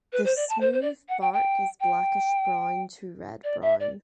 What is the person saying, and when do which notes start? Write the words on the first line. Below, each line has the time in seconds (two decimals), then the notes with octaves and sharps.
The smooth bark is blackish brown to red brown.
0.13 B4
0.25 C5
0.36 D5
0.49 A5
0.61 C5
0.73 C5
0.82 D5
1.09 F#5
1.21 G5
1.33 G5
1.80 G5
3.44 D5
3.62 E5
3.80 D5